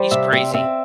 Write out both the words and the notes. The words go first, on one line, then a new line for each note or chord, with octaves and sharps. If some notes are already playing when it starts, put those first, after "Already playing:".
He's crazy.
Already playing: G3 C5
C3 E5
C4
C4 E5